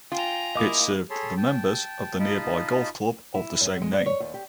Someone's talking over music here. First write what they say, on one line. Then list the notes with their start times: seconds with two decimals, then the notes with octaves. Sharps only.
It served the members of the nearby golf club of the same name.
0.12 F4 G5 G#5 A#5
0.56 A#3 E4 D#5 D6 D#6
1.10 G#4 A4 C#5 A5 B5 C6
1.37 G5 A5
2.20 D#4 F4 D#5 A5 B5
3.35 E4
3.61 F#2
3.82 G#3
3.93 D5
4.06 C#5
4.20 D#2
4.34 G4